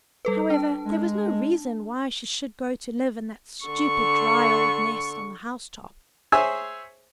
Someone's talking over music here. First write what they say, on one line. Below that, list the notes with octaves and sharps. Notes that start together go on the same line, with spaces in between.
However, there was no reason why she should go to live in that stupid, dry, old nest on the house-top.
G3 A4 B4
D4 A5
G#3
D3 C#6
G#4 C5 C#5 E5 G#5 E6